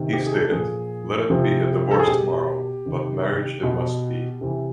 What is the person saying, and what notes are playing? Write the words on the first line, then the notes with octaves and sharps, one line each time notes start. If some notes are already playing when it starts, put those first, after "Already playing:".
He stated, Let it be a divorce tomorrow, but marriage it must be!
Already playing: C3 D#3
G4
G#4
A4
A#2 F3 G#4
C3 F3
A4
G#4
B2 G4
C3 D#3
B2
C3 E3